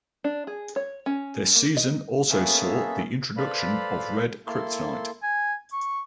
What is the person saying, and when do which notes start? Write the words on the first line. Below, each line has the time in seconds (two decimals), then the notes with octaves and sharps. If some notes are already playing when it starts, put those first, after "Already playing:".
This season also saw the introduction of red kryptonite.
0.24 D4
0.47 G#4
0.76 C#5
1.06 C#4
1.56 A#3
1.77 D#5
2.30 A#3 B3 C#4 G#4 A4 E5
3.37 A4 B4 C5 D5 F5 B5
4.47 A#3 E4 A4 C6
5.23 G#5
5.73 C#6